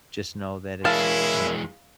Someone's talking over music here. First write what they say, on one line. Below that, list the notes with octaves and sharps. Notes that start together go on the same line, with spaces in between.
just know that it's," you know,
E3 G#3 C#4 E4 A#4 F5 A5